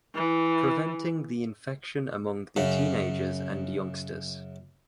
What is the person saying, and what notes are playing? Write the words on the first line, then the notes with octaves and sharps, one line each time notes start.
Preventing the infection among the teenagers and youngsters.
E3
F#2 C#3